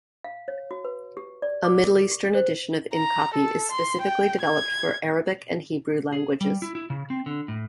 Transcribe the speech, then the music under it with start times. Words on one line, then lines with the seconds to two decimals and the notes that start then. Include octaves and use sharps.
A Middle Eastern edition of InCopy is specifically developed for Arabic and Hebrew languages.
0.24 F5
0.48 C#5
0.71 F#4
0.85 B4
1.17 G4
1.42 D5
1.64 D6
1.85 A#4
2.11 G4
2.35 C5
2.94 A#5
3.34 A4
3.72 C6
4.01 G5
4.41 G#6
6.12 G#4
6.41 G3
6.62 E4
6.75 E4
6.90 C#3
7.10 C4
7.26 D3
7.48 A2